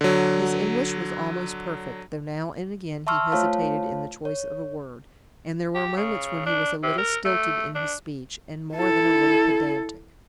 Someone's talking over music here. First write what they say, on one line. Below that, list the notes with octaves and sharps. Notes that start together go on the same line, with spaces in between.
His English was almost perfect, though now and again he hesitated in the choice of a word, and there were moments when he was a little stilted in his speech, and more than a little pedantic.
D3 F#3
E5 A5 C6 C#6 E6 F6
A3 F4 C5 C#5 F5 A5
C#5
G4
C#3
D4
C3
A#4
A3
D4
E4 A4